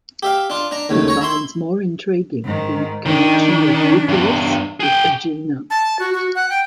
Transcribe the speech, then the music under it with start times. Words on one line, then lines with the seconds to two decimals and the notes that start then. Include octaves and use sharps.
He finds more intriguing the connection of Eupolis with Aegina.
0.23 G4 E5 F5
0.50 D4 F4
0.71 D4 A#5
0.89 D#2 G#2 C#3 A3
1.08 C#5 A#5
1.21 E4 E5 C6
2.44 G#2 D#3
3.06 D#3 D4
4.09 E2 G2
4.80 G#4 G5
5.70 A5
5.99 F#4
6.13 F#4
6.35 F#5
6.50 G5